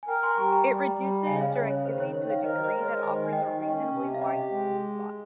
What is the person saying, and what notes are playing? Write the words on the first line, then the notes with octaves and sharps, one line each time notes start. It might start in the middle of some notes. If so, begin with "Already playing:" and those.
It reduces directivity to a degree that offers a reasonably wide sweet spot.
G#5
A#4 G5 A#5
G#5 C6
G3 A#5 C#6
G5 A#5
G3
G3
C#3 F5 G#5
D#5
C#5 F5
C#3 C#5 F5
C#5
D#3 C5
C#5
D#3 C#5
C#5 F5
A#4 C5 D#5
C5 D#5
G#3
C#5
D#3 C5 D#5
G#5
D#3 D#5 G5
C#4 D#5 G5
C3
F5
G4 D#5 G5
G#3